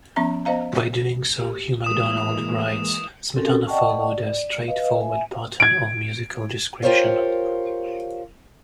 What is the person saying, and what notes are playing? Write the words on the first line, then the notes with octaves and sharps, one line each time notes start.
By doing so, Hugh Macdonald writes, Smetana followed "a straightforward pattern of musical description".
F3 B3 C#4 E5 A#5
B3 C5 D#5 F5 A#5
G4
E3 G#3 A#3 D#6 E7
C4 C#4 F#4 G4 A4 A#4
D5 D#5 F#5 G5 A5 C#6
D5
B4 D#5 F5
E5 G#5
G#6 D7
F4 G4 A#4 C5 C#5 F5